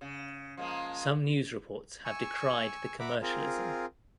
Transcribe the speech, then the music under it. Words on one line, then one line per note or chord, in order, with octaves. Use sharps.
Some news reports have decried the commercialism.
C#3
F3 G#3 A#3
G#5 C#6 E6
E5 F#5 A#5 B5 D6
C4 F4 G#4 A#4